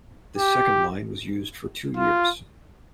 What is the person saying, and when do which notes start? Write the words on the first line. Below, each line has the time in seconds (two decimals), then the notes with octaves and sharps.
This second line was used for two years.
0.38 G4
1.97 F4